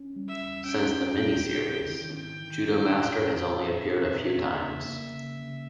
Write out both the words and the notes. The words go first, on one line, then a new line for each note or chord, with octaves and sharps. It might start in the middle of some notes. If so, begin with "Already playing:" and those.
Since the mini-series, Judomaster has only appeared a few times.
Already playing: C#4
G3
E5
E2
C#4 G5
C#4
G3
E4
E4
D#3
G#2 G5
D#3
E4
A#2
G#4
G#4
A#2 E5
G#4
A#2
A#3
C#3
A#3
C#3
C#3